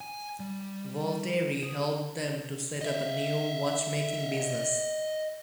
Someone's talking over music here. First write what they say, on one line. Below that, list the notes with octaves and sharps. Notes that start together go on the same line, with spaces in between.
Voltaire helped them to set up a new watchmaking business.
G#5
G3
G#4
D#5 E5